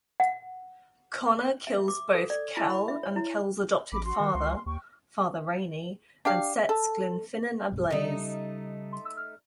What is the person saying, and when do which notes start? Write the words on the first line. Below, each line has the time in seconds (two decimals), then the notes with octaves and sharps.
Connor kills both Kell and Kell's adopted father, Father Rainey, and sets Glenfinnan ablaze.
0.20 F#5
1.67 E5
1.88 D6
2.15 A4
2.30 D5
2.57 E4
2.70 B5
2.88 E5
3.03 C#5
3.16 E4
3.92 A1 B5 D6
4.04 F#4 C6
4.20 D#3
4.34 C#2
4.55 C6
4.66 D#2 G5 C#6
6.25 D4 G4 F5
6.69 A4
7.72 B1 G2 B2
7.90 C#3 G3 A3 D#4